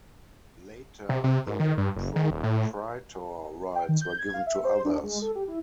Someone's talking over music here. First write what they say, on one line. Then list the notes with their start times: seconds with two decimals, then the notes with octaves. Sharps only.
Later the proprietor rights were given to others.
1.09 C3
1.24 C3
1.47 G#2
1.60 D#3
1.78 G2
1.96 F#1
2.16 D#3
2.30 D#1
2.43 A2
3.76 G5
3.88 D#3
4.01 G6
4.18 G#6
4.34 F5
4.47 E5
4.65 C5
4.85 D4
5.04 G#3
5.22 A4
5.35 G4
5.48 E4